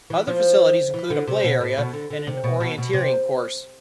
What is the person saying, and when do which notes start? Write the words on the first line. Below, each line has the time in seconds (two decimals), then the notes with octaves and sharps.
Other facilities include a play area and an orienteering course.
0.10 E3
0.27 F3
0.94 E3
1.10 D3
1.27 C3
1.44 B2
1.60 A2
1.78 B2
1.93 D3
2.10 D3
2.27 C3
2.44 B2
2.60 B2
2.78 B2
2.93 C3